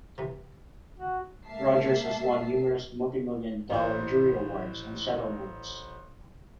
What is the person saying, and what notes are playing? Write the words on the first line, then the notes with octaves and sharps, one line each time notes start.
Rogers has won numerous multimillion dollar jury awards and settlements.
C3 E3
F#4
G#3 A#3 E5 A5 C7
A1 C5